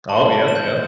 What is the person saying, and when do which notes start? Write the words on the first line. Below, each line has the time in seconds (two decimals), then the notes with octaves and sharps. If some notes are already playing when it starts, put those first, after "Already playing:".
Oh, yep, yep.
0.09 A5
0.17 F#7
0.33 A5
0.48 E7
0.55 G6